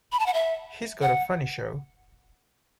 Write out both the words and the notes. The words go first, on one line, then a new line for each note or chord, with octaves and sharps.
He's got a funny show.
B5
A5
F#5
E5
F#5